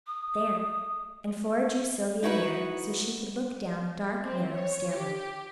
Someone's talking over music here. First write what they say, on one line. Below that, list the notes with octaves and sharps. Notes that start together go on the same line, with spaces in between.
"There," and Flora drew Sylvia near so she could look down a dark narrow stairway.
D#6
D#4 E4 F#4 A4 B4
C4
C#5
G4